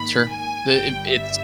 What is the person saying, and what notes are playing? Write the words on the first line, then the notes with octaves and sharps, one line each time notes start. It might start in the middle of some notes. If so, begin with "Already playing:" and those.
Sure, it it it's,
Already playing: G#2 D#3 A#3 B5
G#5
G1 G2 G3 G5
E5